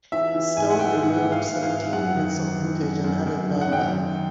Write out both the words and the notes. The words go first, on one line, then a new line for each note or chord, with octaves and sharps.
Stone removed seventeen minutes of footage and added nine back.
E3 E5
E3
G#2 G#5
F#5
G#2 G5
G#2 F#5
G#2
F5
G#2
F5
G#2
F#2 F#5
D#3
D#3
D#3
F#2
F#2
F#2
D#3
F#5
F#2 G5
D#3